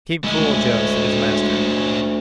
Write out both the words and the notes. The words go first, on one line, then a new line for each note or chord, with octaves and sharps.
"Keep cool, Joe," said his master.
D2 G#3 C#4 E4 D#5